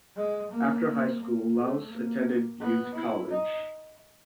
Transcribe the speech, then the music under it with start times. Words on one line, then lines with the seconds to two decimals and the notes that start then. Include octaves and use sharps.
After high school, Lohse attended Butte College.
0.16 G#3
0.51 A#3
0.86 A#3
1.20 A#3
1.55 A3
1.90 A#3
2.60 B3
2.95 E4
3.29 D#4